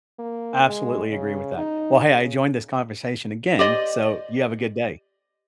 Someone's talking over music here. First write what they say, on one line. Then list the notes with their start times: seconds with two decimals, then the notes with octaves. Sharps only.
I absolutely agree with that. Well, hey, I enjoyed this conversation again, so, you have a good day.
0.19 A#3
0.67 G#3
1.11 C#3
1.58 D#4
2.12 C#3
3.59 G4 C5 D5 D#5